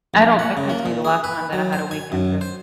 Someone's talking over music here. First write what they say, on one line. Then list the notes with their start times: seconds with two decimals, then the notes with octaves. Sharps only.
I don't I can't tell you the last time that I had a weekend trip.
0.14 A#1
0.39 F#5
0.57 C#3
0.70 A#3
0.86 A#2
1.05 G#4
1.24 B4
1.53 F#3
1.73 C5
1.91 G#5
2.12 F#2
2.41 C5